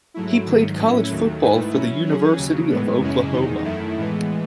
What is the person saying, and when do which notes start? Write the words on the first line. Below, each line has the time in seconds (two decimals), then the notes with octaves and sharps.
He played college football for the University of Oklahoma.
0.14 G#2 F#3 A3 E4
0.46 G#2 D#3 F#3
0.79 A2 F#3 C#4 E4
1.10 D#2 D#3 F#3 A3
1.42 G#2 D#3 A3 E4 B4
1.74 F#3 C#4 E4
2.06 F#3 C#4 G#4
2.38 D#2 C#3 F#3
2.69 A2 E3 G#3 B3
3.01 F#2 C#3 G#3 C#4 E4
3.33 E2 D#3 G#3 D#4
3.64 F#2 D#3 A3 E4
3.97 A2 E3 G#3 B3